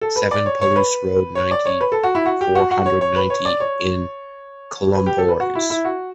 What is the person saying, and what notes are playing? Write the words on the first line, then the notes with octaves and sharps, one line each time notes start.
Seven, Pallus road, ninety, four hundred ninety in Colombiers.
A4
B4
D5
C#5
C#5
B4
C#5
D5
C#5
B4
A4
F#4
E4
F#4
G4
F#4
F#4
C#5
C#5
B4
C#5
D5
C#5
B4
G4
A4
B4
F#4
E4
E4
F#4